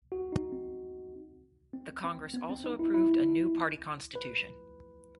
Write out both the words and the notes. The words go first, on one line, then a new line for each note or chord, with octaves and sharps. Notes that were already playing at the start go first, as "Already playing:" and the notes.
The congress also approved a new party constitution.
F#4
D#4
C4
C4
C4
B3
C4
D#4
E4
E4
B4